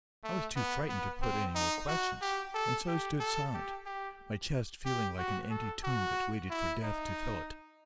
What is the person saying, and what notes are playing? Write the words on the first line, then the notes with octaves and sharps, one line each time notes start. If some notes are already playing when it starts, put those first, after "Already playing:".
I was too frightened to put any more questions, and so stood silent--my chest feeling like an empty tomb that waited for death to fill it.
A3
B3
B3
C4
D#4
F#4
G4
A4
G4
A4
G4
G4
G4
F#4
A4
F#4
E4
D#4